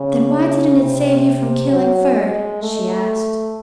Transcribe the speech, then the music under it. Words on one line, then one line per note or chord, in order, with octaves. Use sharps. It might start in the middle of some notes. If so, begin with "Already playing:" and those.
"Then why didn't it save you from killing Ferd?" she asked.
Already playing: C#3
C3
F#3
G#3
A3